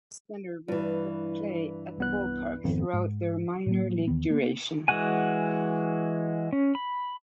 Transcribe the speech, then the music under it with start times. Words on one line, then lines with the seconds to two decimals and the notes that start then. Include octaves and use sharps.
Centreville would play at the ballpark throughout their minor league duration.
0.68 G2 E3
1.98 C2 B3 F#6
2.64 G#1 F2 B3
2.93 G#2
3.66 A2 F#3 A#3
4.07 D#2 D#3 E3 B3
4.30 A#3 B3
4.88 E3 G#3 F#4 F#5 G#5
6.53 C#4
6.75 B5